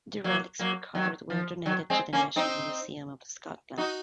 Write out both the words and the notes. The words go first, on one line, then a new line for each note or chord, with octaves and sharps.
The relics recovered were donated to the National Museum of Scotland.
F#3 A#3
F#3 A#3
D#3 F#3
F3
D#3 F#3
G#3 C4
A#3 C#4
C4 D#4
D#4 F#4